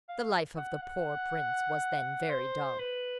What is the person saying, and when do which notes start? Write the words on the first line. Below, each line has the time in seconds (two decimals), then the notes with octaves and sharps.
The life of the poor prince was then very dull.
0.08 F5
0.57 F#5
0.82 F#5
2.30 C5
2.79 B4